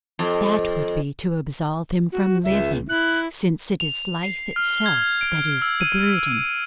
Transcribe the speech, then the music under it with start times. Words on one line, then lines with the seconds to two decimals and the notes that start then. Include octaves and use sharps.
That would be to absolve him from living, since it is life itself that is the burden.
0.19 F2
2.12 F#4
2.44 C#2 E5
2.89 E4 F#6
3.80 F7
4.23 C7
4.56 F6
4.86 G#6
5.21 D7
5.62 E6
5.81 D#7